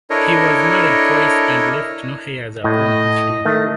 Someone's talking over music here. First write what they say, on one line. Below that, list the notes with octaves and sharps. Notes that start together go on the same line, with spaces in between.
He was married twice and left no heirs upon his death.
D4 E4 A4 A#4 C#5 D#5
A2 D#5
D#3 A3